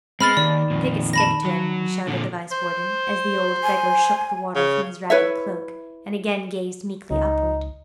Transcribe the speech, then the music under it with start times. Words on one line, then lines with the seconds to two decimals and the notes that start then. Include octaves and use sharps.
"Take a stick to him!" shouted the Vice-Warden, as the old Beggar shook the water from his ragged cloak, and again gazed meekly upwards.
0.21 G#3 B3 C4 B5 F6 A6
0.37 D#2 D#3 D5
0.70 F2 A#2
1.13 A5 B5 A#6
1.45 F#3
2.07 A#2 D3
2.51 C5
3.63 G#5
4.55 C#3
5.10 E4 B4 C#5 E5
7.11 C#2 D#4